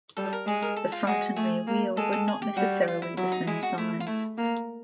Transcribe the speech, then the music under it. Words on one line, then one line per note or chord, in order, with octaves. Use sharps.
The front and rear wheel were not necessarily the same size.
G3 A4
A#4
G#3 G#4
A#4
A4
F4
G#3 F#4
A3 G#4
A#3
G#3 A4
A4
G#4
G4
G3 F#4
F4
E4
F#3 E4
D#4
G#3 E4
F#4
A3 E4
F4
A3 E4
A#3